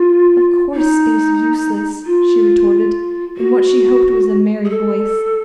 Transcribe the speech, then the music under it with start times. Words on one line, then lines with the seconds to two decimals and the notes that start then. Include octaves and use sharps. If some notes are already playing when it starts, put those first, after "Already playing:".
"Of course it is useless," she retorted in what she hoped was a merry voice.
Already playing: F4
0.74 D#4
2.06 F4
3.37 F#4
4.65 G#4
4.69 A4